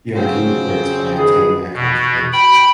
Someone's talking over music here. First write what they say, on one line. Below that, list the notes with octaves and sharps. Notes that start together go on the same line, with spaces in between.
The argument works by obtaining a contradiction.
C#3 F#3 F4 C5 G5
D#3 G#4 B4
B2
G5 B5